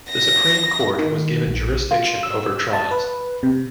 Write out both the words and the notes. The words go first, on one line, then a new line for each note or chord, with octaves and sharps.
The Superior Court was given jurisdiction over trials.
A#6
D#3
A#1
F4
E6
A5
B4
C3